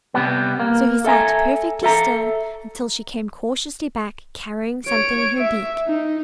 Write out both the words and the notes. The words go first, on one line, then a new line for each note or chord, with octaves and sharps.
So he sat perfectly still until she came cautiously back carrying something in her beak.
C3 G3 B3
A#3
A4 E5 G#5 A#5
A4 E5 A#5
C#5 D7
E5
D#4